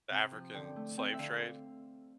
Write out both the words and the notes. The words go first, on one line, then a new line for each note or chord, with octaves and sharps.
the African slave trade,
C3
F3
D3 G5
A3
C4 G5
E5
D3 F5